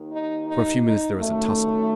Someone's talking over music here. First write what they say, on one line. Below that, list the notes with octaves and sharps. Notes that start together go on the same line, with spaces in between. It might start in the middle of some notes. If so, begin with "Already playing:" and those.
For a few minutes there was a tussle.
Already playing: D#2 D#3
D#4
D#4
D#4
F#2 D#3 A3